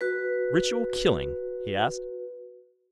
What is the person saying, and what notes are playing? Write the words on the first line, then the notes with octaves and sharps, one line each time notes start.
"Ritual killing?" he asked.
F#4 B4